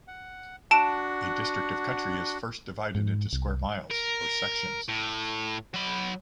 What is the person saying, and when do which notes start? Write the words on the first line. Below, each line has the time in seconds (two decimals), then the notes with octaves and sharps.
A district of country is first divided into square miles, or sections.
0.08 F#5
0.71 D4 F#4 F#5 A5 D7 E7
2.95 G#2
3.33 C2
3.90 A#4
4.89 A2
5.74 F#3 B5